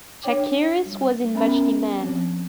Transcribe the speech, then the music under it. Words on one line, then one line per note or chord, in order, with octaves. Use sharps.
Chakiris was in much demand.
D4 C#5 G5 D6
G3
B3 C#4 A#4 E5 A#5 B5
F3 C4